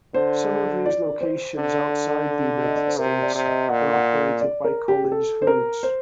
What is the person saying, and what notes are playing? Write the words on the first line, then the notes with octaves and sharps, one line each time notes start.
Some of these locations outside the United States are operated by Collins Foods.
D3 C5
D5
C5
D3
D#5
D5
C5
C3 A#4
D5
C3
D#5
A#2 F#5
F#5
D5
A#4
G4
G4
A4
C5
A#4
C5